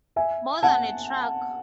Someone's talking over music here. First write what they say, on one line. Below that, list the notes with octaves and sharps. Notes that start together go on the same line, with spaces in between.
More Than A Truck!
E5 G#5
F#5 A5